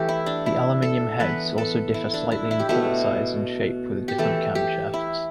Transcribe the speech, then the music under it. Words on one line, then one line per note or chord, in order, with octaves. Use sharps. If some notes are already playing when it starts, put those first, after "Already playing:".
The aluminium heads also differ slightly in port size and shape with different camshafts.
Already playing: E3 A3 G4 A4
E4
D4
E4
A4
E3 B3 B4
A4
E4
D4
E4
E4
G4
B2 A3 E4
G4
E3 A3 A4
G4
E4